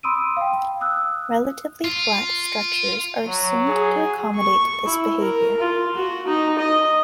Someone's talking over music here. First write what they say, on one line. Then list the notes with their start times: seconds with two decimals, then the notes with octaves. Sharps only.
Relatively flat structures are assumed to accommodate this behavior.
0.03 B5 C6 D#6 E6 D7 D#7
0.37 F5 G5
0.81 D#6 E6 F#6
1.85 F4
3.27 F#3
3.68 G#4
4.35 C#6
4.86 E4
5.21 A#4
5.60 F4
5.95 F#4
6.27 D#4
6.58 D#5